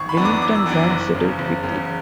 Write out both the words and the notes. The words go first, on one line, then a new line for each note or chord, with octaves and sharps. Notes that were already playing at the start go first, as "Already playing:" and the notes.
Remington Rand settled quickly.
Already playing: G#1 C#6
B5
F#2 E3 B3 D4
D6
G#1 D6
E6
F#2 E3 B3 D4 D6
F#1
E2 C#3
F#1
E2 C#3